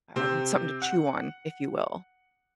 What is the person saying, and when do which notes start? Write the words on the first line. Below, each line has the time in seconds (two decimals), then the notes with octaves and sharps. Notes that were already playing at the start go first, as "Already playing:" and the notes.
um, something to chew on, if you will.
0.16 C3 C4
0.82 F#5